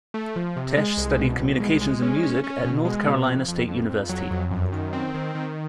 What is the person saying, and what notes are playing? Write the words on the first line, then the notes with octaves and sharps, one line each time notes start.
Tesh studied communications and music at North Carolina State University.
A3
F3
C3
G#3
C2
B2
C2
G#3
G#3
C#4
C#4
C#4
B2
G#3
B2
F2
F2
F2
F2
F#3
F2
F#2
D#3
C4
D#3
D#3